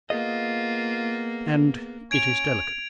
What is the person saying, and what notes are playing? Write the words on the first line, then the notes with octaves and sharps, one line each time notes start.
"And it is delicate."
A#3 B3 F4 G#4 D#5
C#4 G#6 D7 F7